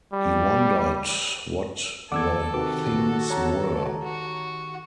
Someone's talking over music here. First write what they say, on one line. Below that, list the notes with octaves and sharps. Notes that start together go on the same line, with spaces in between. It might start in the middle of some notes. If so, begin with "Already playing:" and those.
He wondered what the things were.
G3
D#2 A4 D5 F#5 D6 E6 G#6
C3 D#3 F#4 G4 B4 D6
C#5 A5 A#5
F#4